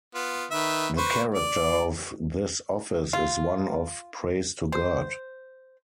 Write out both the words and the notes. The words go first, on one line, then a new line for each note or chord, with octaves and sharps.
The character of this office is one of praise to God.
B3 F4
D#3 B4 E5
B4 C5 C#6
D5
F4
C5